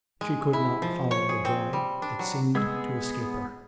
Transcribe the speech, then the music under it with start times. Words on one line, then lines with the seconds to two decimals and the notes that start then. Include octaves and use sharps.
She could not follow the drawing, it seemed to escape her.
0.21 G#3
0.53 E4
0.82 F3
1.11 C#5
1.29 G#4
1.45 C4
1.73 G3
2.02 D4
2.19 F#3
2.55 G#3 B3 G#4 E6